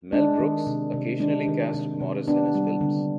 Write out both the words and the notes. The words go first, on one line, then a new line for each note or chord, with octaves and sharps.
Mel Brooks occasionally cast Morris in his films.
G#3 D4
D#3
C3
C3
G#3 D4
D#3
C3
C3
B3 D4
G3
D3